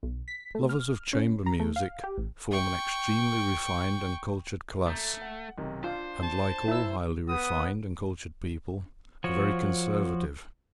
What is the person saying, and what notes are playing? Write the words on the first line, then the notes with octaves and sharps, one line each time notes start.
Lovers of chamber music form an extremely refined and cultured class, and, like all highly refined and cultured people, are very conservative.
B1
B6
A3
F6
C#4
A#5
A3
F5
G4
A1
G5 C#6
A3 A#5 G6
F#5
B1 C3 D#3
D4 F4 C5
A5
E4 E6
B3 D#6
F3 F#4 C#5